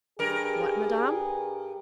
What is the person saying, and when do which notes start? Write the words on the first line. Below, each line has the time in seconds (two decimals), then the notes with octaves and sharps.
"What, madame?"
0.19 G2 G#4 A#4